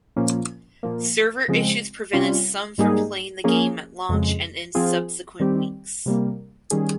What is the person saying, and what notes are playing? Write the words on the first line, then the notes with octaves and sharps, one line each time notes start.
Server issues prevented some from playing the game at launch and in subsequent weeks.
A#2 F3 A#3 C#4
A#2 F3 A#3
C#3 F3 G#3 C4
C3 G3 C#4 F4
G#2 G3 A#3 D#4 G#4
F3 A#3 C#4 G#4
F2 C#3 G#3
F3 C4 F4 G#4
D#3 G3 C4 G4
C3 G3 A#3
D#3 G3 C#4 G#4